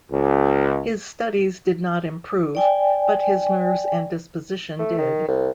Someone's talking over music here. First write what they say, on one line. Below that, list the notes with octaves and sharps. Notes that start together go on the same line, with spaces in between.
His studies did not improve, but his nerves and disposition did.
C#2
D5 G5 G#5
A3
D#3
C2